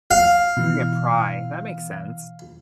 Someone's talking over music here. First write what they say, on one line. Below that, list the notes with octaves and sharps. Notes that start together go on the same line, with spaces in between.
Yeah, pry, that makes sense.
F5
B2 E3